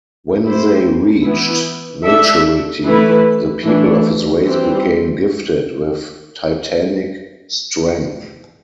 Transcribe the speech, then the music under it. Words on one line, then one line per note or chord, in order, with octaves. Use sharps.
When they reached maturity, "the people of his race became gifted with titanic strength".
A3 E4 G4 C5
E3 B3 E4
D4 A4 E5
E3 A3 E4 B4
E3 A3 D4
E3 G3 C4 G4